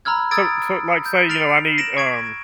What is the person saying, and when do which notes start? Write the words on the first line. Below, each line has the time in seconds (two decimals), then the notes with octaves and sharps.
so so, like, say, you know, I need, um,
0.05 A#5 B5 E6 F6 G#6
0.31 D#6 E6 G#6 A6 D7
1.06 G6
1.29 F6 A6 C7 D7 F7
1.78 A#6 D7 E7 F#7
1.97 C#6 G#6 D7